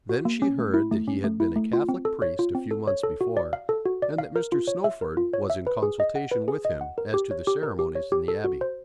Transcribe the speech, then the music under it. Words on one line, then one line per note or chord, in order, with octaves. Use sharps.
Then she heard that he had been a Catholic priest a few months before, and that Mr. Snowford was in consultation with him as to the ceremonies in the Abbey.
F#4
A#3
C#4
A3
E4
A3
C#4
A3
E4
A3
F4
C4
A4
C#5
F4
C4
A4
C#5
A4
F#4
D5
F5
A4
F#4
D5
F5
A#4
F4
C#5
E5
A#4
F4
C#5
E5
B4
G#4
D#5
F#5
B4
G#4
D#5
F#5
A#4
G4
C#5
G4
A#4
G4
C#5
G4
A4
F#4
C5